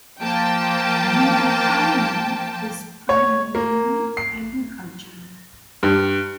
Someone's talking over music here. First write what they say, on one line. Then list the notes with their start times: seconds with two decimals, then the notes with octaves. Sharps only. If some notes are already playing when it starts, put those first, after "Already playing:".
The economy is primarily agricultural.
0.21 F3 A#3 G5 A5
3.09 C#5
3.55 A#3
4.17 C7
5.83 G2